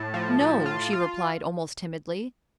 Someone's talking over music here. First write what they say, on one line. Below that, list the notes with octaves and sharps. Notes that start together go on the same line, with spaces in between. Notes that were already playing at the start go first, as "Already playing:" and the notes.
"No," she replied, almost timidly.
Already playing: A2 A5
F3
A2
F4
F4